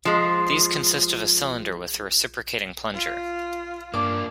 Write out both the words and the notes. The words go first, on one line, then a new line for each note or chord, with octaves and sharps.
These consist of a cylinder with a reciprocating plunger.
F3 G#3
F4
G2 A#3 D4 D6